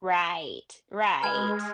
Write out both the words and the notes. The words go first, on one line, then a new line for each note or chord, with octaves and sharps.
Right, right.
G#3 B4 F6 G#6